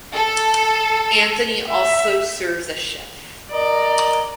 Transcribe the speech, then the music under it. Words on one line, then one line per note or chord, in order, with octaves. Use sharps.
Anthony also serves as chef.
A4
E5
A#4 D5 D#5 A#5